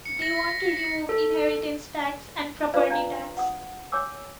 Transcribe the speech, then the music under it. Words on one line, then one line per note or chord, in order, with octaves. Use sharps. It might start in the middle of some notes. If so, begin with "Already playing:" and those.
They want to remove inheritance tax and property tax.
C#7
A#6
B6
C#7
A4
F4 B4 C5 D5 F5
D4 D#5 F5 G5 A#5
F#5 D#6
C#5 G5 G#5 D6 E6